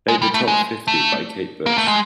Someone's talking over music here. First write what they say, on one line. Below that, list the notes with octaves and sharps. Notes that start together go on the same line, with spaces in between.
Play the top fifty by Kate Bush.
G#3
G3
A3
G#3
A3
A#3
A3
G#3